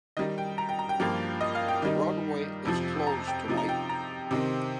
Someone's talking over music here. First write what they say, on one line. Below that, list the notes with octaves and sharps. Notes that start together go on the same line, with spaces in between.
Broadway is closed tonight.
D#3 G3 D#4 D#5
G5
A#5
G5
A#5
G5
G2 F3 A#3 F4 G5
D#5
F5
G5
D#3 G3 D#4
F2 C3 F3
A#5
G5
C3 F3 D#4
A#5
G5
A#5
C3 D#3 C4